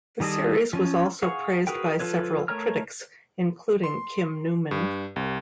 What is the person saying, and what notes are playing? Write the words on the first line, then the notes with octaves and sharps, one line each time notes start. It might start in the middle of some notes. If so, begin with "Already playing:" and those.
The series was also praised by several critics, including Kim Newman.
D#3 G3 G#4 A4 D#5
F3 C#4
G#4 F5 F#5 C#6
F#4 G#4 A#4 B4 G5
F3 F4 A4 B4 C#5
A3 A#4 C#5 A#5 F6
C6
G2
C2